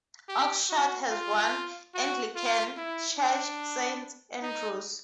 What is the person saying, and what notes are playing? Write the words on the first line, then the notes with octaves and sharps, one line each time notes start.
Oxshott has one, Anglican, church, Saint Andrew's.
G4
F#4
F4
F#4
F4
E4
D4
D#4